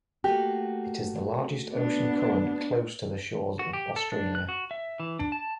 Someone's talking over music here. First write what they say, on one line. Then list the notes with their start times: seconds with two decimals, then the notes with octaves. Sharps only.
It is the largest ocean current close to the shores of Australia.
0.24 A3 A#3 F#4 G4
1.72 B3 D4
3.59 F#4
3.73 G4
3.96 A4
4.12 D4
4.35 F#6
4.49 F#4
4.71 E5
5.00 E3
5.19 D4
5.32 A5